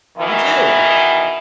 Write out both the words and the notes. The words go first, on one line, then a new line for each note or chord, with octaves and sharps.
You do.
B2 D#3 E3